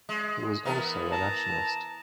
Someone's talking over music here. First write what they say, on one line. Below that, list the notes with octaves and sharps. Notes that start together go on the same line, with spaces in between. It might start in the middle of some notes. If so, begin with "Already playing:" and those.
He was also a nationalist.
G#3
E3 B3 A#4
A5 A#5